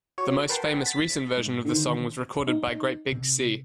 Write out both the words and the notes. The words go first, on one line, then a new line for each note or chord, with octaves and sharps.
The most famous recent version of the song was recorded by Great Big Sea.
F#4 C#5
A#4 B4 F#5 G5 A5 C6
A6 B6
G#2
D3 D#3 C5
D#4
C3